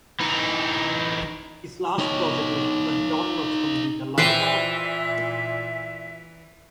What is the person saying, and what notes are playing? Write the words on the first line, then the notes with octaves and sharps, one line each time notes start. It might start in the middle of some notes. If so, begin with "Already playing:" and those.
His last project was the Don Knotts comedy The Love God?
E3 D#4
D#4 C#5
A#2 E3 B4 C5 E5 G5